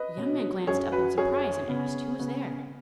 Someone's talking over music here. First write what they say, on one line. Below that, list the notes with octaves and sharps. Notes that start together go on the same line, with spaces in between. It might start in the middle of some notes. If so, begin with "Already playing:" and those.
The young man glanced up in surprise, and asked who was there.
Already playing: B4 D#5
B2 F#3 C#4
F#2 F#3 C#4 G#4 C#5
F#4 B4
F#2 F#3 C#4 G#4 C#5
C#3 B3
C#3 B3